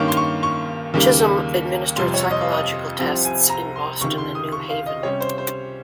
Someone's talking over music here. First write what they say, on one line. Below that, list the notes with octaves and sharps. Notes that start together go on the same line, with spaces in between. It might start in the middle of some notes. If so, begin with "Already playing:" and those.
Chisholm administered psychological tests in Boston and New Haven.
Already playing: G2 D#3 A#3 C#4 C#6
C6
C#6
C#6
D#2 C#3 G3 A#3
F2 C3 G3 C6
C#5
D#5
F5
D#5
C2 C3 F3 C4
G#5
A#5
C6
C#2 C3 D#3 C#6
C6
D#6
C#6
F5
D#5
C3 G3 C#4 C#5
C5
C5